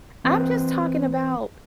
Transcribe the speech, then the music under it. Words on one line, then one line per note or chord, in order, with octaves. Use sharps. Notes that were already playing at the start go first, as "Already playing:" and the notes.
I'm just talking about
E3 C4 B4 C5